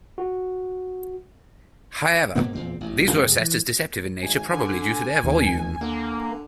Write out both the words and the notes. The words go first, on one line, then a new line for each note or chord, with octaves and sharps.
However, these were assessed as deceptive in nature probably due to their volume.
F#4
G#2 B2 A#3 B3
E2 A#2 C4
A1
F2 C3 G#3
E3
G#1 G#5
D3
F1 D#2
D3 A#3